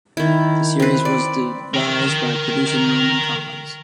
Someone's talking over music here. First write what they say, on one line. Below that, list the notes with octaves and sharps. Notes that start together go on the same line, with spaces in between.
The series was devised by producer Norman Collins.
D#3 E4
C4 B4
D5
A#4 G5